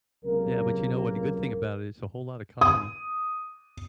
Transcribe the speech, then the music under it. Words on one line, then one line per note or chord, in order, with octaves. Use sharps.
Yeah, but, you know what, the good thing about it it's a whole lot of comedy.
C#2 C3 F#3 A#3 A#4
D#6